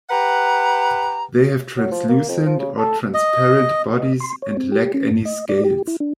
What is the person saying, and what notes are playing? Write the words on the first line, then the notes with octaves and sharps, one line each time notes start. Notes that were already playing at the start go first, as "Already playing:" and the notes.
They have translucent or transparent bodies, and lack any scales.
G4 B4 F#5 A#5
F#3
F3
A#3
F2
F3
C#3
A4
D#5
D#5
C6
C#5
C4
G4
C#4
G#2
D#5
D5
G4
E4
D4